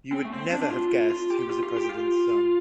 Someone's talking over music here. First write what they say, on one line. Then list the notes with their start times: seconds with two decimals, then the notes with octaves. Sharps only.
You would never have guessed he was a president's son.
0.13 C4
0.25 A3
0.32 C4
0.52 D4
0.62 D4
0.71 F4
1.11 F4
1.30 G4
1.50 F4
1.63 F4
1.76 G4
1.89 F4